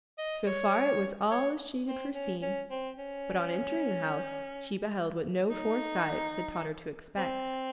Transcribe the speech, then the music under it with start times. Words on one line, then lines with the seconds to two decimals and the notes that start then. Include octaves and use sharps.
So far it was all as she had foreseen; but on entering the house she beheld what no foresight had taught her to expect.
0.19 D#5
0.47 C#5
1.31 C#5
1.87 C4
2.15 C#4
2.42 C#4
2.71 C4
2.98 C#4
5.50 D#4
7.17 C4